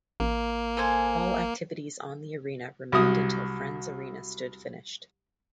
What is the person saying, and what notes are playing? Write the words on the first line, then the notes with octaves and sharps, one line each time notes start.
All activities on the arena remained until Friends Arena stood finished.
A1 A#3
A4 C5 G#5
C2 F#3 D#6